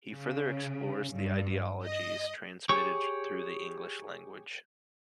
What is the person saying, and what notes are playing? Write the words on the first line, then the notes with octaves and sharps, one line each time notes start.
He further explores the ideologies transmitted through the English language.
C#3
G2
D#5
G4 G#4 C#5 C#6